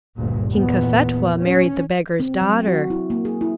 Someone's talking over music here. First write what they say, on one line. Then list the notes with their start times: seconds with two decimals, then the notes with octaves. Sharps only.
King Cophetua married the beggar's daughter.
0.16 G1 D2 G2 A#2
0.48 E2 A#2 B3
1.42 C#4
2.20 C4
2.41 F#3
2.68 F#4
2.90 E4
3.10 A#3
3.25 G#4
3.41 E4